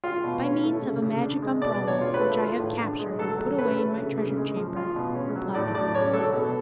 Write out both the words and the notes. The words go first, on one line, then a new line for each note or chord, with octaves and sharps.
"By means of a Magic Umbrella, which I have captured and put away in my Treasure Chamber," replied the Boolooroo.
F4
B2
C#4
A3
C#3
C#3
D4
G#3
B2 D5
B2
C#5
F4
B4
A3
F4
A2
D4
G#3
F#3 A4
F#3
C#4 B4
A3
C#3
C#3
G#3
F3
F4
B2
C#4
F#3
A2 D5
A2 D5
C#4 C#5
F#3 A4
B2